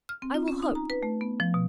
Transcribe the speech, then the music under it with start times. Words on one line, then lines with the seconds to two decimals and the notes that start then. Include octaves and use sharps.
I will hope.
0.09 F6
0.22 C4
0.34 F4
0.48 C#4
0.62 D#4
0.75 A#5
0.90 B4
1.03 A3
1.21 B3
1.40 F3
1.54 B2